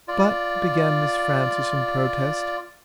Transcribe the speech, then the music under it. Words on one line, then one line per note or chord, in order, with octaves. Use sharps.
"But," began Miss Frances in protest.
F4 D5